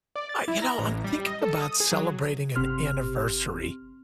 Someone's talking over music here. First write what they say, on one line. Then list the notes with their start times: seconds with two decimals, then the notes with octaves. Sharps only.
I you know, I'm thinking about celebrating an anniversary,
0.16 D5
0.29 A6
0.48 E4
0.62 A#5
0.79 A1
1.04 G3
1.26 D#5
1.42 A4
1.62 D#6
1.80 G#4
1.92 F#3
2.56 G1 C3 C4 G4 C6 F6